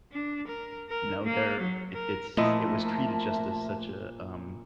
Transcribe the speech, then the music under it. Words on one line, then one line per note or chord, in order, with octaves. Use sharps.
You know, there it it's it was treated just as such a, um,
D4
A#4
A#4
A#3
F#3
A#4
A#2 F3 A3 E4 A#4 D#5 E5 A5